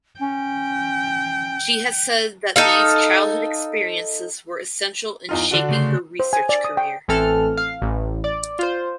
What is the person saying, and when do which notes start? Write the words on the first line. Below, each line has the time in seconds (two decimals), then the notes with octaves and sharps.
She has said that these childhood experiences were essential in shaping her research career.
0.20 C#4 G5
2.56 D#4 A4 F5
5.29 E2 D#4 F4
5.51 D3 D4 F#4
5.69 C#3 A3 C6
6.20 C5
6.33 G#5
6.49 D5
6.65 D#6
6.77 G5
7.08 A1 E3 C4 A4 F6
7.57 F5
7.82 A1
8.24 D5
8.59 F4 C5